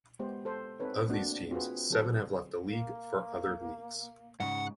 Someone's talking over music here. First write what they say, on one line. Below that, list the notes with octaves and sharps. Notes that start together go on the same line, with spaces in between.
Of these teams, seven have left the league for other leagues.
G#3 B3 G4 C5
A4 C5
C4 D#4 A4 B4 C#5
A3 A#3 C4 D4 F#4
C4 F4 F#4 G#4 B4
D3 F#3 C4 G#4 A4 C5
A#3
G#2 C#3 F#5